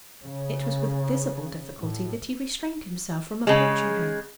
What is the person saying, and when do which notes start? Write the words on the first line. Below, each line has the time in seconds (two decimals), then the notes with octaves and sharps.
It was with visible difficulty that he restrained himself from approaching her.
0.24 C#3
1.79 A2
3.47 C#3 G#3